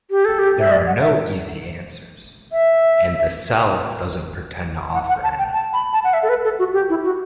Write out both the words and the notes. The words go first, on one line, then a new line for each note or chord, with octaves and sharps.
There are no easy answers, and "The Cell" doesn't pretend to offer any.
G4
A4
G4
E5
D5
F#5
E5
E5
F#5
F#5
A5
G5
A5
B5
A5
F#5
E5
A4
B4
A4
F#4
G4
E4
F#4